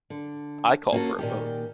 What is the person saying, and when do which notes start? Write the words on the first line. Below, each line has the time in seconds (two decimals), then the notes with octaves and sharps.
I call for a vote.
0.10 D3
0.92 A#3 C#4 D#4 E4 F#4 A4
1.19 A#2 D#3 G4